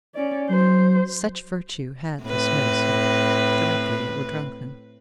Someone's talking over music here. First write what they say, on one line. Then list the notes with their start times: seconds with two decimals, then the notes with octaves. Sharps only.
Such virtue had this medicine, directly it were drunken.
0.15 C#4 D5
0.50 F#3 C5
2.23 A2 C4 B4